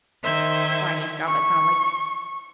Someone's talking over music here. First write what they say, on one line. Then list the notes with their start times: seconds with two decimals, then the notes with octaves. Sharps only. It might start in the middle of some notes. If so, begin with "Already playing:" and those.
finance job, it sounded like,
0.22 D#3 C5 E5 G#6
1.26 C#6